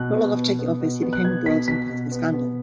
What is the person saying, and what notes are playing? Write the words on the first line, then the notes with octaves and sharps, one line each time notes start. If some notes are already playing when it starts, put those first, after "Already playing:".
Not long after taking office, he became embroiled in a political scandal.
Already playing: B2 F#6
B3
B3
B3
B2
B3
F#6
B3 G#6
B2 B6
B2 B6
B2
B3
B3